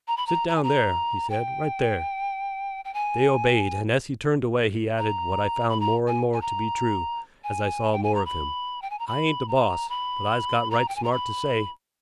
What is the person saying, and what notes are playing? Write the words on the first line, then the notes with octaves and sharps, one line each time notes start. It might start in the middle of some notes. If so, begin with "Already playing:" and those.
"Sit down there," he said, "right there." They obeyed, and as he turned away he added, what I found more and more to be true, as I saw more of him, "I ain't de boss, but I's got right smart to say."
A#5
B5
A#5
A#5
G#5
A#5
G5
G5
G#5
A#5
B5
A#5
G#5
G#5
A#5
G#5
G5
G#5
A#5
B5
G5
G#5
A#5
B5
A#5
B5
A#5
G5
G#5
A#5
B5